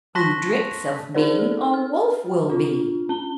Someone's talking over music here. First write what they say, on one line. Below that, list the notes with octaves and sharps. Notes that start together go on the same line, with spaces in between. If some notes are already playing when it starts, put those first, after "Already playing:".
"Who drinks of me, a wolf will be."
A5 C6 C#6 F#6 A#6 B6
C#4 D#4 G#4 A#4 C5 D5
A4
F6
D4 F4
C#4 G7